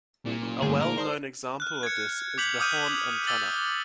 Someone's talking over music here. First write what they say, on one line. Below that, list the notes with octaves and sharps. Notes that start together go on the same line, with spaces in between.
A well-known example of this is the horn antenna.
C2 A#2
F#1
G2 D3 A3 G#4
G#2 A#4 F6 D7
C5 D5 A5 D#6
F6 F#6
G#6 C#7
D6 G6 B6 F7 F#7
D6 D#6 F6 G6 D#7
D6 E6 A6 F#7